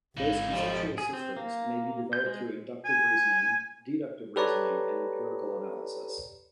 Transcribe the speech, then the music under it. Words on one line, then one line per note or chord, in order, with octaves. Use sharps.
Those conceptual systems may be developed through inductive reasoning, deductive reasoning, and empirical analysis.
G#1 E3 D#4 F5
F2 F3 G3
G#4
C4
A#3
G6
G#3
G#5
G4 A4 B4 C#5 D5 A#5